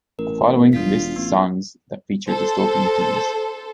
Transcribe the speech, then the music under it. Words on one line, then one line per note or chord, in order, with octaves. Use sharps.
The following lists songs that feature dystopian themes.
A1 A#4
E1 D4 F4 B6
A1 B3
A4 C5